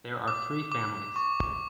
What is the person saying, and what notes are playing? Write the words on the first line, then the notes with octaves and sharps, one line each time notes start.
There are three families.
D6
D6
C#6